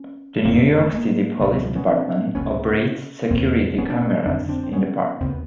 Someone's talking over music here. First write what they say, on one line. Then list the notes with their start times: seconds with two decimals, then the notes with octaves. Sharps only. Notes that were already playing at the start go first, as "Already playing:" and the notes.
The New York City Police Department operates security cameras in the park.
Already playing: B3 C#4
0.45 F2 D3 A#3 C4
0.57 A3 B3
0.81 A3 B3
0.93 G#3 A#3
1.41 C#2 B2 G3 A3
1.52 F#3 G#3
1.64 F3 G3
1.76 B3 C#4
1.88 C4 D4
2.35 C#2 C3 B3 C#4
3.31 E2 B2 A#3 C4
3.78 B3 C#4
3.90 C4 D4
4.01 B3 C#4
4.25 F2 D3 C4 D4
4.49 C4 D4
4.63 C4
4.73 B3 C#4
5.20 D#2 C#3 C4
5.30 B3